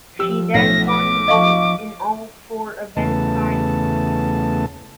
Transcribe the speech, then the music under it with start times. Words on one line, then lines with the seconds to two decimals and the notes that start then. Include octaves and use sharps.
She then won gold in all four event finals.
0.19 F3 G4 E6
0.54 B1 A3 A#6
0.88 D6
1.28 F3 D#5 F5 C#6
2.97 E2 C#3 A3 B3 A5